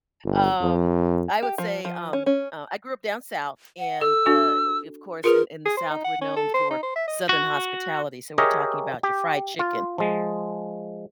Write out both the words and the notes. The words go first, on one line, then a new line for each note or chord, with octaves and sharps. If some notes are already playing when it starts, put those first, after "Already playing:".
um, I would say, um, uh, I grew up down south, and, uh, of course, in in the South, we're known for southern hospitality, so we're talking about your fried chicken,
G1
F2
G4
F3
F3
C#4
C#4
F#5
A4 E6
D4 F#4 A4
F4 G#4 A#4 B4
G#4
C5
D#4
F#5
C#4
A4
C5
D#4
C5
E5
D#5
F#4
G4 G#4 A#4 C#5 D#5 E5
G4
F4
F3 G#3